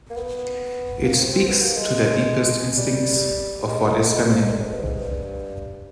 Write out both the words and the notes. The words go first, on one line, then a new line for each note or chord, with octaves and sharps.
It speaks to their deepest instincts of what is feminine.
A#3
B3
A#3
C4
C4
B3
A#3
G#3
G3
G#3
A3
A3
G#3
G3
F3
D#3
D3
G#2
G2
G#2
G2